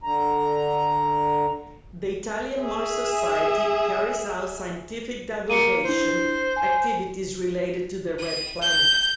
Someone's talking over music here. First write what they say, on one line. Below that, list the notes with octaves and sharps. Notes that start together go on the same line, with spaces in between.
The Italian Mars Society carries out scientific divulgation activities related to the Red Planet.
D3 A#5
G#4 E5
A#3 C#7 D#7
D4 E4 C5
G#5
D#7
G6